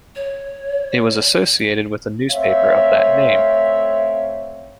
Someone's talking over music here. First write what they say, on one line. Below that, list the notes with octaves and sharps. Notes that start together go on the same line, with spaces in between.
It was associated with a newspaper of that name.
C#5
A3 C4 C#5 E5 F5